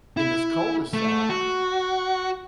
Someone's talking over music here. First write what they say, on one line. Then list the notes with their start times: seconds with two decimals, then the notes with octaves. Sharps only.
in this cul de sac,
0.17 E4
0.93 A3
1.30 F#4